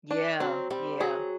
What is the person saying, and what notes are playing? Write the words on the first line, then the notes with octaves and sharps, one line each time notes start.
Yeah. Yeah.
D4
F#3 C4
G3 C4
F#3 G#4